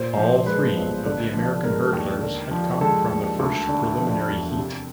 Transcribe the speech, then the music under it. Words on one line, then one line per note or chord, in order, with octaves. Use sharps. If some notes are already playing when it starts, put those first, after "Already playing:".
All three of the American hurdlers had come from the first preliminary heat.
Already playing: A#2 C5
F3
G#3 B4
B1
D3
F3
G#3 A#4
D#2
D3
F3
G#3 A4
D#2
D2
D3
F3
E1
C3